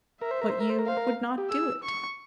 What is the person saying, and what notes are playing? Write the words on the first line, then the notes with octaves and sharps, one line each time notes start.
But you would not do it.
A#4 E5
C5
A#4
C5
A#4
C5
A#4
C5 F5
A#4
G4
G#4 E6
C#6